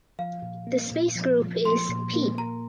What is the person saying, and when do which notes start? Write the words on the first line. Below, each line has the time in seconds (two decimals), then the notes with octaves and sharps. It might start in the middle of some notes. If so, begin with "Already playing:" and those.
The space group is "P".
0.19 F3 F5
0.42 A#2
0.67 A#3
0.91 A#2
1.15 F3
1.40 F3
1.64 F3 C6
1.89 A#2
2.14 A#3
2.38 A#3 A#5